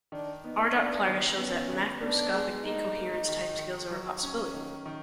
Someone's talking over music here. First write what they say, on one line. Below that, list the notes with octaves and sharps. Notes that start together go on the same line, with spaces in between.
R. Plaga shows that macroscopic decoherence timescales are a possibility.
D#3 D4
B3 D#4
B3 D4
D#3
B3 C#4
D#3
B3 D4
G#3
A#3 D#4
A#3
D#3
D#3
F#3
C#4
D#3
D#3